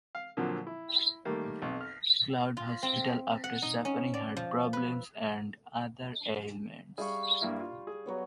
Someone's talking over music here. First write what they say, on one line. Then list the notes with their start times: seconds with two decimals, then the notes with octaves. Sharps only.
Cloud Hospital after suffering heart problems and other ailments.
0.15 F5
0.37 A#2 D3 F3 F#3
0.67 E4
1.25 D#3 G3 A3 A#3
1.62 B1 F2
1.81 F6
2.57 F4
2.83 C4
3.44 F#5
3.62 D#4
3.85 C#4
4.14 D5
4.37 F3
4.73 B4
6.98 G3 G#4 E5 F5 C#6
7.41 G2 A#3 E4
7.60 F4
7.87 G#4
8.06 F#3 B3 C#5